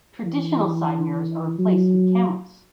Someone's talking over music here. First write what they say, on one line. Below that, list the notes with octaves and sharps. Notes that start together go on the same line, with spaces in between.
Traditional side mirrors are replaced with cameras.
E3
F#3